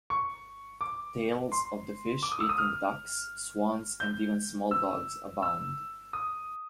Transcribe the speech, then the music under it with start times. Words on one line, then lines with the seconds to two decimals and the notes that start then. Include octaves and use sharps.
Tales of the fish eating ducks, swans and even small dogs abound.
0.10 C#6
0.81 D6
1.52 C6
2.23 D6
2.32 D#6
2.40 E6
2.49 D#6
2.58 F6
4.00 G6
4.71 E6
5.42 E6
6.13 D#6